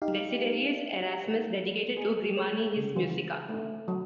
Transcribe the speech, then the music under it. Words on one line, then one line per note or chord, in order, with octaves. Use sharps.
Desiderius Erasmus dedicated to Grimani his "Musica".
D#4 G4 F5
G#4
C#5
C#3
E3
A3
F#3